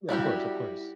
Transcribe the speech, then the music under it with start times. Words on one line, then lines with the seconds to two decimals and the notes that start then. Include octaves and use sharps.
Yeah, of course, of course.
0.09 G3 E4 F#4 G4